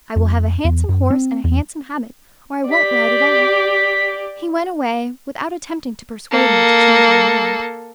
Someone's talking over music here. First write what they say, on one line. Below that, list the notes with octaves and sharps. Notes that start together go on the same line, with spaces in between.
I will have a handsome horse and a handsome habit, or I won't ride at all. He went away, without attempting to persuade me to change my mind.
F2
E2
F#2
C4
E2
G4 D5 B6
A#3 A4